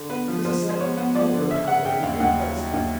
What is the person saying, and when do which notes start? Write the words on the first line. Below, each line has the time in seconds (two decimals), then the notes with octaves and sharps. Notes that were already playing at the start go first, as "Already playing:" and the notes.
It was a sudden overpowering impulse.
Already playing: D3
0.09 B3 B4
0.28 F3
0.45 F3 C5
0.62 G#3
0.70 C5
0.80 B3 C#5
0.97 B3
1.15 F3 D5
1.33 D3
1.50 C#3 E5
1.67 C#3 F#5
1.85 C#3 G5
2.03 D#2 F5
2.20 D#2 F#5
2.38 F#3
2.56 F#3
2.74 D#2